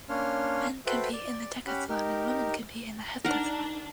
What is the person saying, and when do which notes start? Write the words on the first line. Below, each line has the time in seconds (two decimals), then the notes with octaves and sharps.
Men compete in the decathlon and women compete in the heptathlon.
0.09 A#3 C#4 D4 C#5 C6 F6
0.86 F#4 A4 B4 C5 E5 G5
1.13 D5
1.67 C#4 G4 F#5 B5
1.89 D#4 G4 A#4
3.25 D4 D#4 A#4 F#5